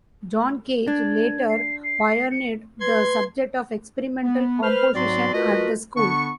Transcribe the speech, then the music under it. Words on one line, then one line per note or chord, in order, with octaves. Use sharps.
John Cage later pioneered the subject of Experimental Composition at the school.
D4 G#6
C7
C7
C#7
B4 C6 G#6
B3
B4 C5 F6
G#2 F#3 C4 F#4 D5 C6
A3 F4 F#4 A#4 B4 D#5
D3 B3 D4 C#6